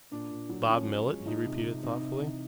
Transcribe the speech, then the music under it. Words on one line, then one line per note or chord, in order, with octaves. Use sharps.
"Bob Millet," he repeated thoughtfully.
A#2 D4
A#2
F#3
F3 C#4
F3
G#3
F3 D#4
C3
C3
C3 D#4
C3
E3